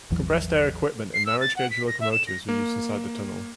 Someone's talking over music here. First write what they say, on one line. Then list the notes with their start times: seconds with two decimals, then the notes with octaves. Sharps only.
Compressed air equipment and narrow gauge locomotives were used inside the tunnel.
0.10 A1 E2 E3 F#3
1.14 C7
1.26 E6
1.41 A6
1.56 F#5
1.71 B6
1.88 A#6
2.00 E5
2.12 E7
2.27 A#6
2.49 A#3